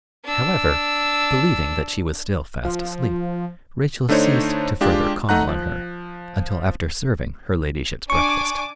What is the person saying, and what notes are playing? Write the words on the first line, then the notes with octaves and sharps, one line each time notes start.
However, believing that she was still fast asleep, Rachel ceased to further call on her until after serving her ladyship's breakfast.
D4 E6
F3
D3 A3 D4 D#4 C5 C#5
G#3 D4 F4 G4
A3 D#4 F#5 A#5 F#6
F3
D4 G#5 C#6 D6